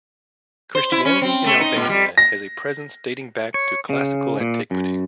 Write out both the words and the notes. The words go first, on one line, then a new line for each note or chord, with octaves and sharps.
Christianity in Albania has a presence dating back to classical antiquity.
C5
E4
C#4
C4
A3
D#4
A#2
G3
A#6
C#5
C#3
A#2
F#2